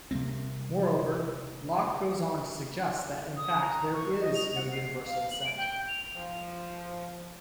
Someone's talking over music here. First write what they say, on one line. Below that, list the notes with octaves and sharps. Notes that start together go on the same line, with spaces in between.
Moreover, Locke goes on to suggest that in fact there "is" no universal assent.
C3 G3 A#3 C4
D#6
A#5
C#6
D#5
F7
F#5
C7
F5
F#7
D7
G5
F7
F3